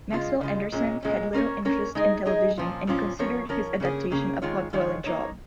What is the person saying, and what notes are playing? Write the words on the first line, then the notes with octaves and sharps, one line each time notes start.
Maxwell Anderson had little interest in television, and considered his adaptation a "potboiling job".
C#3 G#3 F4
C#3 G#3 F4
A#2 G#3 C#4
A#2 G#3 C#4
A#3 C#4 A#4 C#5
A#3 C#4 A#4 C#5
G#3 D#4 G#4 D#5
G#3 D#4 G#4 D#5
A#2 F3 C#4 F4
A#2 F3 C#4 F4
F3 C#4 A#4 C#5
F3 C#4 A#4 C#5
C#3 A#3 C#4 G#4
C#3 A#3 C#4 G#4
D#3 G#3 F4 C#5
D#3 G#3 F4 C#5
A#3 D#4 C#5